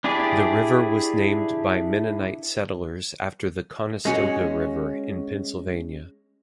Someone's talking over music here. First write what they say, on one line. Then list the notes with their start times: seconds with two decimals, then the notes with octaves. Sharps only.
The river was named by Mennonite settlers after the Conestoga River in Pennsylvania.
0.04 D4 E4 G4 G#4 D5
4.05 G#3 C#4 F#4